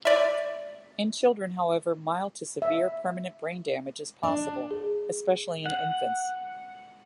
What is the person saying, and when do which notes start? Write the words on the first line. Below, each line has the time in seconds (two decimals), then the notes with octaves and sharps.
In children, however, mild to severe permanent brain damage is possible, especially in infants.
0.05 D5 E5
2.62 E5
4.23 D4
4.71 G#4
5.66 F#5